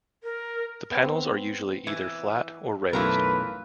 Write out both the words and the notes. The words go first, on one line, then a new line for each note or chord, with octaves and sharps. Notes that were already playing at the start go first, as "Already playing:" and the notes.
The panels are usually either flat or raised.
A#4
B3 C4
E3
B1 F#2 E3 A3 F4 A#4 B4